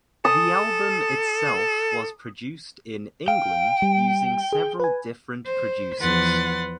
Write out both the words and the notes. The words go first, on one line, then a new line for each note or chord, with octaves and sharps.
The album itself was produced in England using several different producers.
A4 D#6
F5 G5
G3
G#4
B4 G#5
C5
E2 F3 B4 F#5 C6 A6